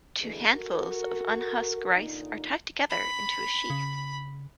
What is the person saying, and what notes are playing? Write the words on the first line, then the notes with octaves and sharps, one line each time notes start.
Two handfuls of unhusked rice are tied together into a sheaf.
B2 D3 E3 A3 G#4
F#4 A4 A#4
A#2 D3 D#4
B5
C#3